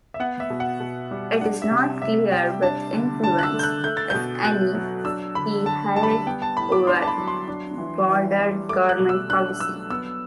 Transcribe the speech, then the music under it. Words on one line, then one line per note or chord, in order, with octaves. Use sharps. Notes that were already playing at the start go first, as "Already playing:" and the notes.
It is not clear what influence, if any, he held over broader government policy.
E5
B3 F#5
E5
B2
F#5
B2
G3
D4 F#5
E5
C3
C3 E5
G3 G5
D4 A5
D3
D3 A5
F#6
E6
A3
G6
F#6
A3 G6
A6
B2 G6
B2 F#6
F#3
D4 E6
D3 B5
D3 A5
G3 A5
B5
A5
B3 G5
A5
A2 B5
D6
D4 C6
A5
B5
F#3
C6
D4
E3
E3
G3
A3 D6
F#6
B2
E6
D4 F#6
F#3 E6
B3 E6